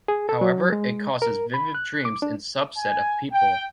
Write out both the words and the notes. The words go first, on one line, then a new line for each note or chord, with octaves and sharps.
However it causes vivid dreams in subset of people.
G#4
A4
F#3
G#3
A#4
B5
F#6
D6
D4
G#5
G5